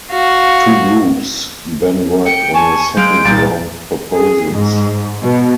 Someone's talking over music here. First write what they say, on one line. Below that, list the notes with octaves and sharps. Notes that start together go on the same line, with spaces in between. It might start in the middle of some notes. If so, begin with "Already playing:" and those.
Two groups then worked on a second round proposals.
F#4 F5
G5 C#7
G#5 A5 C#6
G#3 F5 G6 D7
C2 A#2 A6
G#4
G#2
B2